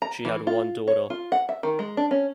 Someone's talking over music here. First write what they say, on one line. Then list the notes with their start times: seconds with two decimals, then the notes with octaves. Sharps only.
She had one daughter.
0.02 A#5
0.25 E3
0.47 F4
0.88 C#5
1.10 F4
1.32 F#5
1.49 E5
1.63 D#3
1.79 G#3
1.97 D4
2.11 C#4